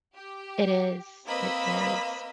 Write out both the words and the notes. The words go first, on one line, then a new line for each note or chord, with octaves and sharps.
It is, it is,
G4
A#3 C4 B4 D#5 B5 E6